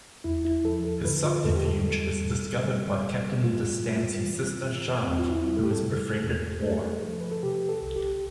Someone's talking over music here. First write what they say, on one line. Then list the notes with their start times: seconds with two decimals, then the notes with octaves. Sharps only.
His subterfuge is discovered by Captain De Stancy's sister Charlotte who has befriended Paula.
0.24 E2 E4
0.45 E4
0.64 F3 A4
0.85 A4
1.05 D3 B4
1.25 F4
1.44 E2 A4
1.55 G4
1.65 A4
1.84 G3
2.25 A2
2.64 G3
3.04 A2
3.43 A2 F4
3.83 G3
4.23 E3
4.64 A2
5.03 E2 C4
5.19 F4
5.30 E4
5.44 G3
5.57 A4
5.63 G4
5.71 A4
5.83 C3
6.23 E2
6.62 A3 A4
7.03 F3
7.21 B4
7.31 A4
7.42 C3 G4
7.69 A4
7.82 C2
7.96 G4